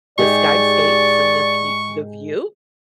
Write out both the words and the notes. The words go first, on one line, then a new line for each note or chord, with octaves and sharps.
the skyscapes and the fe the view.
G#2 G4 G#4 D5 C#6